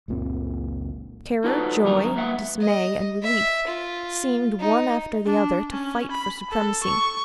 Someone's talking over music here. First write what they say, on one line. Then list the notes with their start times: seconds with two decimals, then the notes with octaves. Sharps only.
Terror, joy, dismay, and relief seemed, one after the other to fight for supremacy.
0.08 F#1 C#2 A#2 C4
1.44 D#4 F4 F#4 A4 B4 D5
1.84 G2 D#3 F#3 G#3 A#4 A#5
2.16 A#3 B4 E5 F#5 G5
2.61 D#5
3.23 E5
3.67 F4
4.59 D#4
5.26 D4
5.71 C#4
6.11 B5
6.50 A4
6.83 C#6